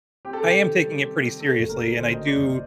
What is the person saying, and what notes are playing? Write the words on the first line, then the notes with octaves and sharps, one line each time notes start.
I am taking it pretty seriously, and I do
C4 G4
A4
C3 G4
D#3
G3
C4
C3
A3 A4
F#1
A#4
F#2
D3 C5
A3 D#5
D5
F#1
D#5